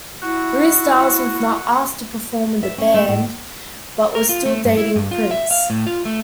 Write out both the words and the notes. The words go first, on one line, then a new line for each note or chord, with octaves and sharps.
Re Styles was not asked to perform with band but was still dating Prince.
E4 F#4
E5
C#4
A3
A2
A#4
F4
A3
G2
E4
G2
F4
E5
F5
A2
F4
A3